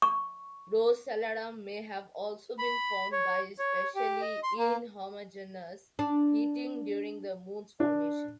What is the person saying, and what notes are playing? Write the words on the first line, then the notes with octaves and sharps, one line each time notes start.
Procellarum may have also been formed by spatially inhomogeneous heating during the Moon's formation.
C#6
B5
C#5
C#5
G4
D#5
C6
A#3
D4
D4